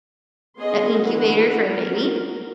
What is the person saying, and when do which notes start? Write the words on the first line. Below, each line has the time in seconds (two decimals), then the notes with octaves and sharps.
an incubator for a baby,
0.59 B3 C#4 G#4 D#5 C6
1.03 D3 E3 F#4 B4 F#5
1.68 F#4 A#4